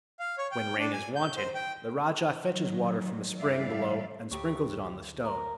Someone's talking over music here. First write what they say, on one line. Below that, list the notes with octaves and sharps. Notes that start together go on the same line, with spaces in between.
When rain is wanted, the rajah fetches water from a spring below and sprinkles it on the stone.
F5
C#5
G5
D4
G#5
G6
C5
G5
D#3 F#3
G2 E3 G3 D5 E5 F5
D2 G4 C#5
A#4